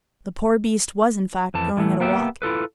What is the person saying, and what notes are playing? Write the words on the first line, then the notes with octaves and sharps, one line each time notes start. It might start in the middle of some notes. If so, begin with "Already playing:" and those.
The poor beast was, in fact, going at a walk.
F2 E3 A5
D3 E3 A3 E4
A#3 B3 G4 E5
E4 F4 A4 B4